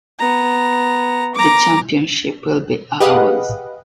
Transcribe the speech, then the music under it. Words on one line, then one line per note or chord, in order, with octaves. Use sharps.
The championship will be ours!
B3 A#5
A#5 D6
G4 G#4 B4 D#5 F5 F#5